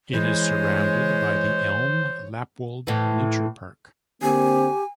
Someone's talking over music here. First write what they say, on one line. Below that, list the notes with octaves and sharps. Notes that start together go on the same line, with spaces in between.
It is surrounded by the Elm-Lappwald Nature Park.
E3 G#3 C5 C#5
A2 E3
D3 A#3 C4 G4 G#5